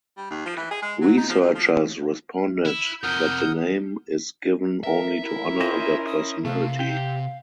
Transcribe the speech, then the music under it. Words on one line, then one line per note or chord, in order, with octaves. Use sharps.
Researchers responded that the name is given only to honor the personality.
G3
D#2
F3
E3
G#4
G#3
F#3
D#4
F3
F#2
F3
E4
F2 C3 A#4 F#5 D#6 G6
A#4 E5
E4 A#4
C#4 F4 C5 D#5
D#6
C3 A3 F5
G4 G5